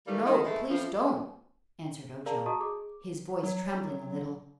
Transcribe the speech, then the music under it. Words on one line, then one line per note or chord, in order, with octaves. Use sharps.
"No; please don't," answered Ojo, his voice trembling a little.
D#3 E3 G3 A3 A#3
D#3
E3 G#3 A3
F2 A2 E3 F3
G#4 A#4 D5 F5 A5 A#5
F#4 D#5 A5 A#5 C#6 D#6
G#4 D6
F#3